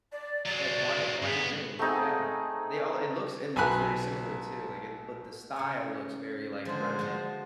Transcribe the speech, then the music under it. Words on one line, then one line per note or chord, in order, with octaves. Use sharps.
Yeah, Quantic Quantic Dream, yeah, they all it looks it looks very similar too, like it loo the style looks very, like remnant,
D5
F#3 G#3 D5
G2 B3 G#4
A3 C4 D#4 G#4
B1 G#5 B5 F#6
C#3 C#5
D3 F3 G#3 C5
F3 F#4